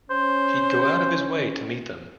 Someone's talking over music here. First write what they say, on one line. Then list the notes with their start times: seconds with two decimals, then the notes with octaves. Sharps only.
He'd go out of his way to meet them.
0.10 C#4 C5